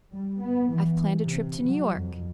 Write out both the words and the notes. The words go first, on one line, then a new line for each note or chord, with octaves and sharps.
"I've planned a trip to New York."
G3
B3
E3
C3
F#3
F2